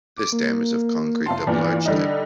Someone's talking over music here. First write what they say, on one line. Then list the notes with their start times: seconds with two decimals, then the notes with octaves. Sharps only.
This dam is of concrete double arch type.
0.17 D6
0.33 A#3
1.26 F#1 F4 A5 C6
1.47 G2 A#2 E3 B3
1.85 D3 G3 D#4